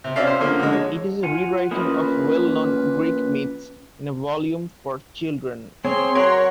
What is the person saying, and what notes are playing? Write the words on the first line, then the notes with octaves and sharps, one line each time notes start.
It is a re-writing of well-known Greek myths in a volume for children.
C3
C4 C#4 C#5 D5 E5 F5
C5 F5
D3 F3 A#3 C#4
D3 G#3
C#5
F4 F#5 G#5
E3 F3 A#3 C#4 A#4 B4 B5 D#6
C4 G#4 C#5 C6
F#3 A#4 C#5 F#5